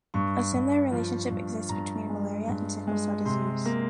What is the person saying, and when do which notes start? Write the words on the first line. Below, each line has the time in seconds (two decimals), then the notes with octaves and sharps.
A similar relationship exists between malaria and sickle-cell disease.
0.14 G2 C#6
0.53 G2
0.91 F3
1.31 G2
1.69 G2 A#5
2.09 G#3
2.48 G2
2.87 G#3
3.25 C3 C6
3.65 A#3